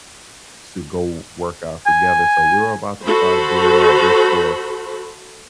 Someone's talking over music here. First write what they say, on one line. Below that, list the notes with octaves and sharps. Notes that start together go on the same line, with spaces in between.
to go work out together, so we're about to start doing that just for
G#5
F#4 A4 C5 B5